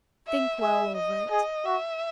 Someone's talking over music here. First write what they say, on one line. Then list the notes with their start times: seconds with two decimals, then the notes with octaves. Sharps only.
Think well over it.
0.28 E5
0.61 G#4 E5
0.96 D#5
1.31 G#4 D#5
1.65 F#4 E5